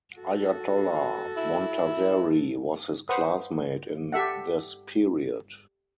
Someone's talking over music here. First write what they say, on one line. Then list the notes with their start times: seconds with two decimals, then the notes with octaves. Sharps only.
Ayatollah Montazeri was his classmate in this period.
0.17 F#4 A4
1.37 E4
3.09 B4 C5 F#5 D#6
4.12 G4 A4 E5 F#5